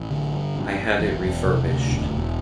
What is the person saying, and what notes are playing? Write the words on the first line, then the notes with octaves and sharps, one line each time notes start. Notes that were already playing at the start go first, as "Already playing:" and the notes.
I had it refurbished.
Already playing: A1
D3
G2
A1
A1
E1 E3
E1
C3
D2
E1
E1